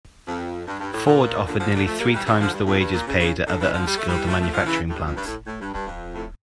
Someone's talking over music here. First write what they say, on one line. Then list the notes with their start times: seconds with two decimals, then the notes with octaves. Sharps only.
Ford offered nearly three times the wages paid at other unskilled manufacturing plants.
0.27 F2
0.67 G2
0.80 G2
0.93 A2
1.06 A#2
1.47 A#2 D3
1.59 D3 F3
1.74 A#2 D3
1.86 F3 A3
1.99 G3 A#3
2.13 E3 G3
2.26 C#3 E3
2.41 D3 F3
2.53 G2
2.66 F2
2.80 G2
2.93 A#2
3.07 C#3
3.19 C#3
3.47 A#2 D3
3.60 C#3 E3
3.73 D3 F3
3.87 G3
3.98 A3
4.08 E3 G3
4.26 F3 A3
4.40 F3 A3
4.53 D3 F3
4.66 C#3 E3
4.89 A2
4.93 G2
5.06 F2
5.16 G2
5.26 A2
5.47 A2
5.61 G2
5.74 G2
5.87 F2
6.14 A2